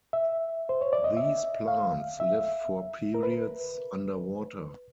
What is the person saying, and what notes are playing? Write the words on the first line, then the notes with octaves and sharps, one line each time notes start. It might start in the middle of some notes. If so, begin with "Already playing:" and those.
These plants live for periods underwater.
E5
C5
C#5
D5
D#5
E5
F5
E5
A#4
B4